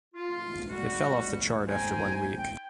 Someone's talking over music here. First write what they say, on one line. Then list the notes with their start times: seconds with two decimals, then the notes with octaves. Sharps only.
It fell off the chart after one week.
0.14 F4
0.69 G3 F#4
1.68 D#4 C5 G5 G#5
2.37 G5